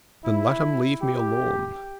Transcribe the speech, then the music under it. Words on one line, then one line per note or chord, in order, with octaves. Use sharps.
'Then let him leave me alone.
E4
G4